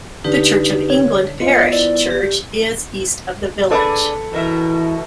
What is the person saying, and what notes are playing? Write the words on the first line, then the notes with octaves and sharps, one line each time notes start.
The Church of England parish church is east of the village.
D3 D#4 G4 B4
C#5
B3 F4 C5 D#5 C#7
E4 D5
G4
D4 G#4 A4 B4 D5 B5
B2 E3 A#4 E5